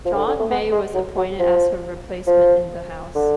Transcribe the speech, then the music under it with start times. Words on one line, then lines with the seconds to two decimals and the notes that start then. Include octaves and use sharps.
John May was appointed as her replacement in the House.
0.05 F3
0.14 C#3
0.18 D3
0.28 D3
0.40 A3
0.51 B3
0.72 G#3
0.94 F#3
1.17 F#3
1.39 F3
2.27 F3
3.15 D3